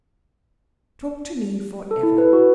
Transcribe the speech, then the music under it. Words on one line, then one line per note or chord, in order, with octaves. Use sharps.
Talk to me for ever.
A4
E4
B4
F#4